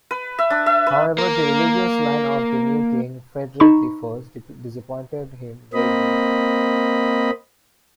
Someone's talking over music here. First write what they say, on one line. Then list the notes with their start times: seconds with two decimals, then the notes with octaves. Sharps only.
However the religious line of the new king, Frederick the First, disappointed him gravely.
0.11 B4
0.39 E5
0.50 D4
0.66 E5
0.87 B4
1.18 A#3 A#4
3.60 D#4 A#5 B5 C#6 E7
5.73 A#3 C4 D#5 B5